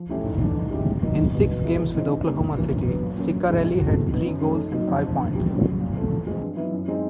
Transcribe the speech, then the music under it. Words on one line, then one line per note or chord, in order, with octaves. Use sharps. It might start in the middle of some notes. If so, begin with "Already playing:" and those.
In six games with Oklahoma City, Ciccarelli had three goals and five points.
Already playing: F3
A3 C#4 E4 G4
G#2
E3 A3 D4
D#3
G#3 C#4 E4 G4
A2
F#3 A#3 D#4
E2
B2 G3
B2
G#3 B3 E4
E3
G#3 C4 D#4
G2
D#3 G3 A#3 C#4
G2
E3 G3 A#3
F#2
D3 F#3 B3
A#2
F#3 A#3 C#4
G2
E3 G#3 C4 E4
E3
A3 C#4 F#4
C3
D#3 F#3 B3
F#2
C#3 F3 A3 C#4
D#3
F#3 A#3 D#4 F#4
F2
D3 F3
G2
E3 G3 C4
F#2
C#3 F#3
A#2
F3 A3
E3
G#3 C4
G2
D#3 F#3 B3 E4
F#2
D#3 G#3 C4 D#4